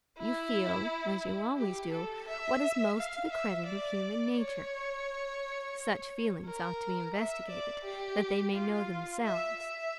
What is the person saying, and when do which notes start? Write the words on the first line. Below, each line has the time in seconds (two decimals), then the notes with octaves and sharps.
"You feel, as you always do, what is most to the credit of human nature. Such feelings ought to be investigated, that they may know themselves."
0.18 E4
1.58 G4
1.92 A4
2.28 E5
2.97 F5
3.32 E5
3.67 D5
4.37 C#5
6.45 A#4
7.15 E5
7.49 D5
7.84 G4
8.54 F4
9.24 E5
9.59 E5